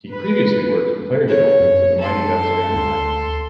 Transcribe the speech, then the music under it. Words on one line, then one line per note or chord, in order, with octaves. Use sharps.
He previously worked in Player Development for the Mighty Ducks of Anaheim.
B4
C#5
F#2
A4 C6
D2